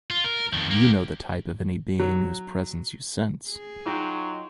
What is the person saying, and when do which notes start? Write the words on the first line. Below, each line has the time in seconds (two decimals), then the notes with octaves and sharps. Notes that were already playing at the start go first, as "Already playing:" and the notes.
You know the type of any being whose presence you sense.
0.10 F4
0.24 A#4
0.53 F2 D#3
0.71 A#3 G4
1.99 F#3
3.50 G#4
3.86 F#3 D#4 F4 D#5 G5